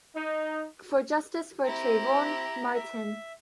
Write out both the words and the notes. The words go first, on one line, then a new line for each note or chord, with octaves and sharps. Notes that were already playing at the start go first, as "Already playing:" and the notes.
For justice for Trayvon Martin.
D#4
C4 E4 G4 A#5
E5